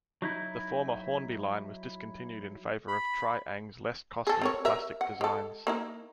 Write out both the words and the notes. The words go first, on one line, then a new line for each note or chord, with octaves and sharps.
The former Hornby line was discontinued in favour of Tri-ang's less costly plastic designs.
F#3 D#4 E4
B5
G#4 A4
C4 A#4 C#5
A#4 E5
F#5
G#3 A4
A#3 D#4 E4